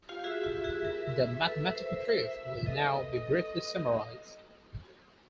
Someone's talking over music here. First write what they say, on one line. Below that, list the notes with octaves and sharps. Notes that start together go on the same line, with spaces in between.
The mathematical proof will now be briefly summarized.
F4 G4 F5
G4
F#4 G#4 E5
F4 G4
F#4 G#4
G#4 A#4
A4 B4
A#4 C5
A#4 C5
A4 B4 D#5
A4 B4